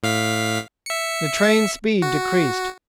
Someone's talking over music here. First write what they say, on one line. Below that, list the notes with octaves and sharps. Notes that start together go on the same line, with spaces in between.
The train's speed decreased.
A2 F5 B6
E5 C#7
F#4